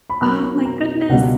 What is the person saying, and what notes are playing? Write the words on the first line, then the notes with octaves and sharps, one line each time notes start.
Oh my goodness!
B5
B1 B2 F#3 A#3 A#5
B5
A#5
C#2 B2 G3 F#5